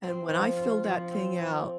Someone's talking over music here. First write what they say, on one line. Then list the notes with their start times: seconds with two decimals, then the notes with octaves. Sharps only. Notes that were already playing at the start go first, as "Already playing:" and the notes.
and when I filled that thing out
0.03 C4
0.30 F3
0.57 F4
0.84 F3
1.11 C4
1.38 C4